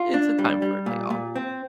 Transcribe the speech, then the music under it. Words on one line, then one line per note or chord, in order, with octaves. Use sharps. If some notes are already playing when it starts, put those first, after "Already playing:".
it's a time for a day off",
Already playing: F4
D4
G3
G3
A#2
A#2
C4